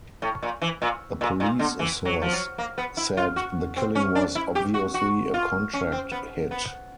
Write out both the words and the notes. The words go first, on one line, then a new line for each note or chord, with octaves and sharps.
A police source said the killing was "obviously a contract hit."
A2
A#2
E3
A#2
A#2
A#2
D3
E3
F#3
F3
F#3
A#3
B3
E4
F4
F#4
C4
C#4
D4
E4
G4
F#4
F#4
F4
C#4
C4
B3
B3